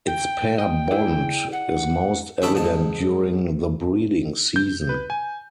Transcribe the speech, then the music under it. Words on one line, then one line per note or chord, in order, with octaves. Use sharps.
Its pair bond is most evident during the breeding season.
G5
D#5 G5
E4 G#4 D5
F#5
D#2 C#4 E4 E5 A5 D6
F2 G#2 A5
G6
B4
G#5